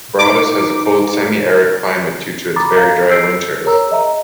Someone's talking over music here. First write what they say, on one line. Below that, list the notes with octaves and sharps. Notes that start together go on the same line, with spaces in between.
Broadus has a cold semi-arid climate due to its very dry winters.
D#4 D6
A#5 B5 D6 D#6 A6
A4 F5 A#5 G6 G#6
E6 G6 C7 D7
G#4 A#4 C#5 A#5 E6
D#5 E5 A#5